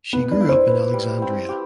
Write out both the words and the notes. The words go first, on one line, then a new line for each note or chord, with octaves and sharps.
She grew up in Alexandria.
B3 B4
D4
E4
C5
B4
G3
C4
G4